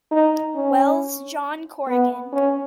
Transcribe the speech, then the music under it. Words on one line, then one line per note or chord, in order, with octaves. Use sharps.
Wells, John Corrigan.
D#4
C#4
B3
C#4